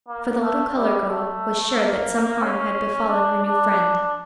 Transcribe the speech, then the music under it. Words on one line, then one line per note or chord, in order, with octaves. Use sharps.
For the little colored girl was sure that some harm had befallen her new friend.
A#3
A3
G3
A3
A#3
C#4
D4
D4